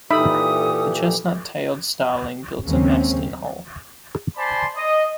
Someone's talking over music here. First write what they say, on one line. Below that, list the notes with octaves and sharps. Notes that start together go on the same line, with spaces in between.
The chestnut-tailed starling builds a nest in hole.
A#2 E3 D#4 G4 A4 E5 B5 D#6
D#2 C#3 F#3 G#3 C4 C#4
C5 D5 G#5 A5 B5 C6
D#5